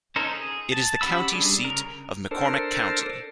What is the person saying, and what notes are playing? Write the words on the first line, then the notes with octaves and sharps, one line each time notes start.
It is the county seat of McCormick County.
C#4 D#4 A4 A#4 C5
G#4
A5
C#4 G4 F#5 B5 E6
G3 D4 G#4
C#3 A#4
D4 A4 A#4 C5